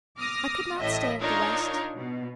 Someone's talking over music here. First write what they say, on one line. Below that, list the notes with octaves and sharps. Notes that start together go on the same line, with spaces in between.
I could not stay at the West.
D6 D#6 F6 A#6
A1 A2 D#5 E5
D4 D#4 F4 A#4 C#5
B2